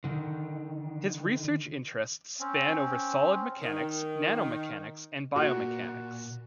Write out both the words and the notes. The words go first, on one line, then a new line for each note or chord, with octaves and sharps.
His research interests span over Solid Mechanics, Nanomechanics and Biomechanics.
D3 D#3
C4 C#4
D#3
A#2 F#4